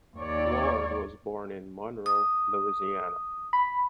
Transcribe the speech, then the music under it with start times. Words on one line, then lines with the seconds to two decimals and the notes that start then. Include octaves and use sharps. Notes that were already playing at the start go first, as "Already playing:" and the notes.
Ward was born in Monroe, Louisiana.
0.17 D#2 C#5 D5
2.06 D#6
3.53 B5